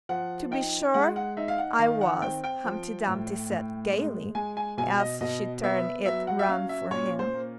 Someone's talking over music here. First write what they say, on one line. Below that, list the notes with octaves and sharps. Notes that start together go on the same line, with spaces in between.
'To be sure I was!' Humpty Dumpty said gaily, as she turned it round for him.
F3 F#5
D#4 G5
G#3 F#5
F#5
D#4 E5
F5
F#5
D#3 F5
F#5
C4 G5
G5
F3
A2
A2
G#3
G#3 G#5
G#5
B2 G#5
D#5
B2 D#5
B3 E5
F#3 E5
F#5
E5
C#4 F5
E5
A#2 C#5
C5
A#3